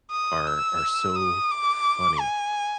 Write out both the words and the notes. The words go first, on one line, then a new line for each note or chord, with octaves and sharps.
are are so funny
D#6
E6
D#6
D6
G#5